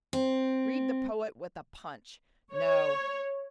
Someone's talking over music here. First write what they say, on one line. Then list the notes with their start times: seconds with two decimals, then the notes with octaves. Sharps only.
Read the Poet with a Punch!' No.
0.13 C4
2.53 C#5